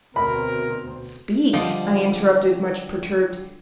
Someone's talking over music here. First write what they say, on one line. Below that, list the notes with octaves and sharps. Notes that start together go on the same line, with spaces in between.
"Speak," I interrupted, much perturbed.
D2 B2 C4 A#4 B5
D3 F3 G3 D#5 G5